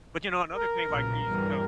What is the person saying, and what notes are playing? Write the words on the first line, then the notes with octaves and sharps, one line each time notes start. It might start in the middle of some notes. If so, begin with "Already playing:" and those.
But you know, another thing, like, these, you know
A#4
B1 A#2 C#3
E2 G2 G3